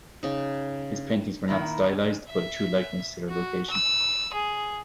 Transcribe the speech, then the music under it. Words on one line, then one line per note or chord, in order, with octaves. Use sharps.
His paintings were not stylised but a true likeness to their location.
C#3 D#4
A#2 D#3 E4 A#5
E5
F#4
E6
G#4